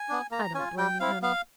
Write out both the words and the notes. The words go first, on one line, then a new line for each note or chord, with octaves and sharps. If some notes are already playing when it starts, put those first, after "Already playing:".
I don't blame you, honey.
Already playing: G#5
B3 D4
A#3 A#5
C#4 F4 G#5
G3 G5
C4 E4 F5
B3 F5